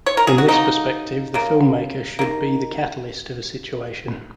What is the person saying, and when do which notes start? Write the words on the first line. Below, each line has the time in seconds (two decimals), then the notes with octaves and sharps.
From this perspective, the filmmaker should be the catalyst of a situation.
0.06 C#5
0.17 A#4
0.27 G#4
0.38 F#4
0.49 C#3 F#3 A#3 D#4
1.34 C#3 A#3
2.19 D#3 A#3